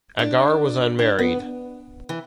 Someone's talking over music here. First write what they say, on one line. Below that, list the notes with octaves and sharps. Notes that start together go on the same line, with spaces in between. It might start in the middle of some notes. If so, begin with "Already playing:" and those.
Agar was unmarried.
D4
D4
B3
E3